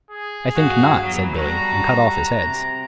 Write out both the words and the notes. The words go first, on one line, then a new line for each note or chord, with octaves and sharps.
"I think not," said Billy, and cut off his heads.
G#4
G2 F#4 F5
E2 F#3
G3 F#4 A4 A#5
C3